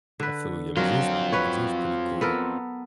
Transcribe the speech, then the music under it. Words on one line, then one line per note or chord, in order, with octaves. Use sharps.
I feel ya. It is it is pretty cool.
D3 B4
F#3 C4 F4 A#4
B4 C#5
B3 A4 A#4